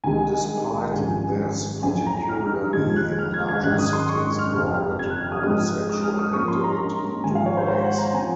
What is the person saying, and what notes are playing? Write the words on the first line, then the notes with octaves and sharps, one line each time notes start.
Despite this, particularly in larger cities, private homosexual activity took place.
C2 C3 D#3 G#3 G#5
G#1 F#2 C#3 F3 G#5
F2 C#3 F#3 G#5
A#5
F6
F1 D#2 C#3 F3 G#3 G#6
F#6
F6
G#6
G#6
G#1 F#2 D#3 G#3 F#6
D#6
C6
C#6
F6
F#1 F2 C3
G#6
F#6
F6
D#6
G#2 F3 G#3 C4 D#6
D#6
F6
D#6
G#2 F3 A#3 C#4 C#6
C6
A#5
A#5
G#1 G#2 F3 G#5
F5
C#5
C5
C5
F#5
A#5
F3 C4 G#5